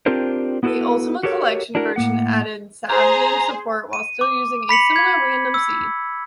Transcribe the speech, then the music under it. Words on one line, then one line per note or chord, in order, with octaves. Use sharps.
The "Ultima Collection" version added savegame support while still using a similar random seed.
C4 D4 F4 G4 A#4 C5
B3 E4 F#4 G4 A4 B4
F#4 G4 A4 A#4 C#5
D4 E4 F#4 A#4
A2 A#3 F#5
G#4 C5 A#5
D#7
D6
B5 B6 C#7 F#7
G#6
E6